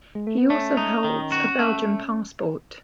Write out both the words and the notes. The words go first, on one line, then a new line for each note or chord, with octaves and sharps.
He also holds a Belgian passport.
G#3
A3
B3
A3 C#4
D#4
D#3
F#4
A3